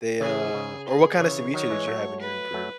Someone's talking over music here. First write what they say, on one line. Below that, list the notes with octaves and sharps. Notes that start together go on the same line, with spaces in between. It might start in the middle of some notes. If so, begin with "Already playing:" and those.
They, uh or what kinda ceviche did you have when you were in Peru?
C#3 E3 G#4
C#3
G#4
C#3 E3 C#5
D#3 F#3 C#5
E3 G#3
F#3 A3
B4
F#3 A3